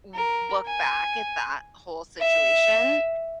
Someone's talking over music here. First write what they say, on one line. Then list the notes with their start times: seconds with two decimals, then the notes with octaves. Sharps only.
w look back at that whole situation,
0.14 A#4
0.66 G#5
2.20 E5